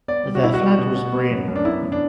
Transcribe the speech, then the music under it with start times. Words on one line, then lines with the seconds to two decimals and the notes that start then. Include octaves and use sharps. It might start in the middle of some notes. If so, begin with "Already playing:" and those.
Their flag was green.
0.08 B3 D5
0.26 G3
0.35 F#4
0.43 B2 E4
0.54 F#4
0.60 G3
0.78 B2
0.96 B2
1.12 B3
1.31 F#2
1.48 F#2
1.56 D4
1.65 B3 E4
1.83 F#2
1.92 D4